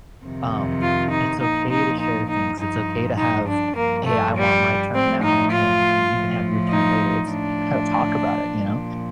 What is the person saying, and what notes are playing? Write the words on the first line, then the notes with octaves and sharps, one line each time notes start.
Um, it's okay to share things, it's okay to have "Hey, I want my turn now, and and you can have your turn later." It's you gotta talk about it, you know?
F2 C3 D#3
F4
D#4
A#2 F3 D#4
D#4
D#4
D#4
G2 F3 D#4
D#4
D4
G2 F3 A#3
A3
G3
A2 F3 C4
D#4
F4
A2 F3
D#4
A2 F3 D4
A#2 F3